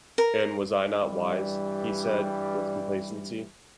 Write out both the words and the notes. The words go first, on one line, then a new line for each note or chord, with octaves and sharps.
"And was I not wise?" he said, with complacency.
A#4
G2 E3 G3